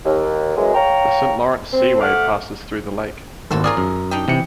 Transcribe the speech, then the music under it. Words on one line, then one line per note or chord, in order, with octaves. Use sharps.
The St. Lawrence Seaway passes through the lake.
D#2
F#2 E3 F#3 G#3
C#5 F5 G5 A#5
C4
A3 F#5 D6 F6
G#1 D#2 E4 F#4 A4
F4 G#4 A#4 D5 A#5 D#6
F#2
D4 D#4 G4
C3 E3 G5 C#7